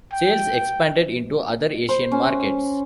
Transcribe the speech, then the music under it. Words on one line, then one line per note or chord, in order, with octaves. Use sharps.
Sales expanded into other Asian markets.
G5
C5
C#4